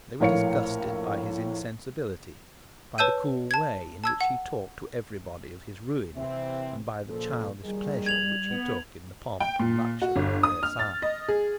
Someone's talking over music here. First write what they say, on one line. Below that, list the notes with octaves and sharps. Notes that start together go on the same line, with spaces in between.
They were disgusted by his insensibility, by the cool way in which he talked to every body of his ruin, and by the childish pleasure which he took in the pomp and luxury of Versailles.
A#1 A2 A#4 C#5 F5 C#7
B4 C#5 A5 E6 G6 D#7
A5 G#6
A5 E6 G#6
F#5
C3 E3 C4 E5
A#2 C#3 F3 A4
A#1 D#3 G3 G#4
G#6 F7 F#7
B3
G5
A#2
F#4
G1
D#6
F6
A6
D#5
G#4